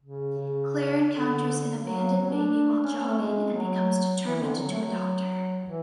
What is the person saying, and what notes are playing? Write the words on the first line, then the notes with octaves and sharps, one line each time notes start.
Claire encounters an abandoned baby while jogging and becomes determined to adopt her.
C#3
C#3
D3
F#3
F#3
D4
C#4
C#4
A3
G#3
F#3
E3
D3
F#3
A3
F#3
E3